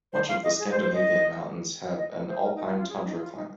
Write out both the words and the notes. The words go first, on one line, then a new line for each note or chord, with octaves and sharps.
Much of the Scandinavian mountains have an alpine tundra climate.
C5
F5
D#5
G#4
C5
C5
D#5
D#5
C5
A#4
D#4
F4
F4
G#4
D#4
F4
D#4